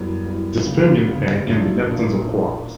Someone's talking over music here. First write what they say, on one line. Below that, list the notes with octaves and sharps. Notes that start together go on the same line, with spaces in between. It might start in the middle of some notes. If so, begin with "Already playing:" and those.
This fermion pair can be leptons or quarks.
Already playing: F#2 E3 G3 B3
F#2 E3 G3 B3
D2 C#3 G3 B3
D2 C#3 G3 B3
A#1 A#2 A#3 E4
A#1 A#2 A#3 E4
B1 A#2 A#3